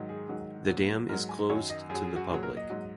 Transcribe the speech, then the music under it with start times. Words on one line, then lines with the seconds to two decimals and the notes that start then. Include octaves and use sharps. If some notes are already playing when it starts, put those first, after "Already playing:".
The dam is closed to the public.
Already playing: G#2 D#3 F#3
0.09 G#4
0.29 G#2 D#3 F#3
0.69 A#2 F#3
1.09 G#2 F#3 A#4
1.29 G#5
1.49 F#2 D#3 F#3 C#5
1.70 D#5
1.90 F#2 G#4
1.94 F#3
2.03 G#4
2.16 F#4
2.30 A#2 F#3 G#4
2.43 A#4
2.57 D#5
2.70 G#2 F#3